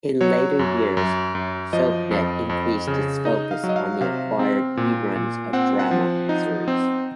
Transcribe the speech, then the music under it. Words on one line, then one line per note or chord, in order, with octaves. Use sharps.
In later years, Soapnet increased its focus on acquired reruns of drama series.
F#3 C#5
F#2
F#2
F#2
F3 D#5
F2
F2
C#3
D#4 D#5
F5
F#3
D#5
F5
C3 F5
C4
A#2
A#2
C4 F#5
F#5
F3
D#4
C4